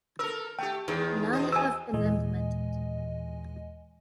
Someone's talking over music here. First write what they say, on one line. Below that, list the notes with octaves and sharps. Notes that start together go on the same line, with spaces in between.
None have been implemented.
A4 A#4 E6
A3 G4 G5
E2 G#2 D#3
B2 C5 D#5
G#5 E6
D#2 A#2 E3 G#3 D#5 G#5